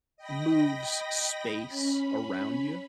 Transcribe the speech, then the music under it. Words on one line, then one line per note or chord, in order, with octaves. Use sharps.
moves space around you
D#5 G5 B5 A#6
C#4 B5